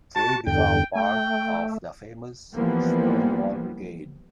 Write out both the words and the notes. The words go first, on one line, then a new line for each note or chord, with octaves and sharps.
They become part of the famous Stonewall Brigade.
F#4 A5
E2 G2 D3 G5
A3 G5
E3 F3 G3 A#3 B3